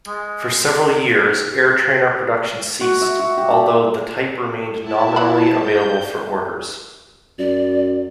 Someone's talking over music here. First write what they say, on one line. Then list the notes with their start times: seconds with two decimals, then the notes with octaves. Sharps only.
For several years Airtrainer production ceased, although the type remained nominally available for orders.
0.07 G#3
2.81 F#4
3.01 E5
3.19 F#4
3.37 G4
3.51 A5
4.81 E4 A5
5.16 E3 F#3 B5
5.60 G6
7.39 F#2 D5